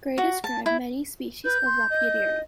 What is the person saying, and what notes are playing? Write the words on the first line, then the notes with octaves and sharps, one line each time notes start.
Gray described many species of Lepidoptera.
F#4
A5
E4
B4 G6
C6
D#5